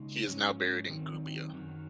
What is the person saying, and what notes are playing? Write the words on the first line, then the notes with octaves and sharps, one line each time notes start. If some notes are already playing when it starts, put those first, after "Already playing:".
He is now buried in Gubbio.
Already playing: C#3 G#3 D#4
G#2 F#3 C#4
D#3 F#3 C4 D#4
F#2 D#3 F#3